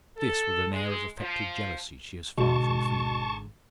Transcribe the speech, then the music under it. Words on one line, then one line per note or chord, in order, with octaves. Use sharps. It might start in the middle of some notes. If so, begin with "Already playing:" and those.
This, with an air of affected jealousy, she is far from feeling.
A4
G#3
F3
G#1 B2 D3 G#3 A5 C#6